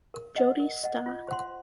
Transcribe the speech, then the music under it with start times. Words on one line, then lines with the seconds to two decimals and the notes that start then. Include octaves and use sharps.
Jodi Sta.
0.14 A#4
0.36 D#5 F#5
0.60 A#4
0.84 D#5 F#5
1.06 F4
1.28 C5 F#5 C6